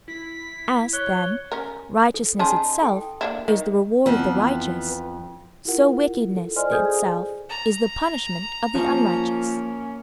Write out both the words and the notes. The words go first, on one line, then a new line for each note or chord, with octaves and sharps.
As, then, righteousness itself is the reward of the righteous, so wickedness itself is the punishment of the unrighteous.
E4 B6
C#5 F#6 G7
C#4 A#4
A4
C#4 D#4 G#4 A5 C6
A4 G5
A#3 D4 E4
D#3
F2 E3 B3
E4 F4 G4 A#4 F#5
A4
C5 D5 D#5 G#5 C6 F6
G#4 A4 G#5 D#6 G6 G#6
A#5
F3 A#3 C#4